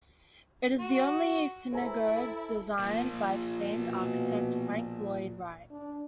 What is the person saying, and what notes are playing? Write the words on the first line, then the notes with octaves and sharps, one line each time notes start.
It is the only synagogue designed by famed architect Frank Lloyd Wright.
F#4
E4 A4 C5 G#5 A#5
A#2 F3
B2
D4